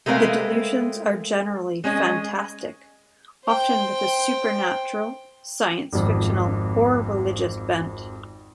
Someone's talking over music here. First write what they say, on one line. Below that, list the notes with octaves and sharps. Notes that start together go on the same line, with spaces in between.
The delusions are generally fantastic, often with a supernatural, science-fictional, or religious bent.
G#3 A3 C4 A#4 B4 F5
G#3 C#4 G#4 D#5
C5 G5
G#1 F2